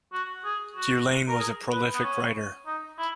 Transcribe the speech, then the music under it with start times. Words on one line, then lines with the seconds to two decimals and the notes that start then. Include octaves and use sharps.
Guillain was a prolific writer.
0.13 F#4
0.45 G#4
0.76 F#4
1.28 A#4
1.39 G#4
1.72 B4
1.95 B3
2.03 C#4
2.67 D#4
2.99 E4